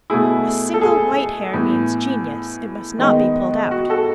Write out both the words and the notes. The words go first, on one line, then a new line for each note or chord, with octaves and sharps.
A single white hair means genius; it must not be pulled out.
B2 A3 E4 G#4
A4
G#4
A2 E3 B3
D#3 G#3 B3 D#4
F#4
F#4 A4